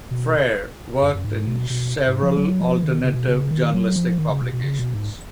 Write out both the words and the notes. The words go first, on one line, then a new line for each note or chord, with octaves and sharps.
Freire worked in several alternative journalistic publications.
B2
F#2
F#2
G#2
B2
B2
G#2
F3
F#3
F3
D#3
C#3
B2
C#3
D#3
F#3
F3
D#3
C#3
B2
B2
C#3
B2
G#2